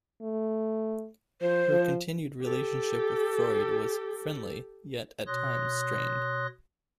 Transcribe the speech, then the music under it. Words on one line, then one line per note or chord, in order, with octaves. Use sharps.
Her continued relationship with Freud was friendly, yet at times strained.
A3
F3 C5
F3
G4 A4
B2 C#5 C6 D#6 F#6 A#6